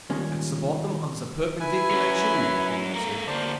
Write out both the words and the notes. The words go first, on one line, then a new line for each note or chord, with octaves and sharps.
"At the bottom of the perpendicular chimney," he answered.
D#2 A#2 D#3 G3 G#3 C#4
E4 B4 G#5
F#3 C#4
A3 A#4
D2 A#3 C5 D5 A5